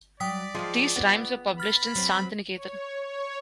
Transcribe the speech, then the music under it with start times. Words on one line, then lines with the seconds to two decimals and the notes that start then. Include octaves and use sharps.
These rhymes were published in Santiniketan.
0.20 F#3 D5 G5 D#6 B6
0.55 F3 G#3 F4 G#4
0.96 B3
1.60 B5 F6 A6
1.95 F#3 C4
2.54 C#5
3.04 C#5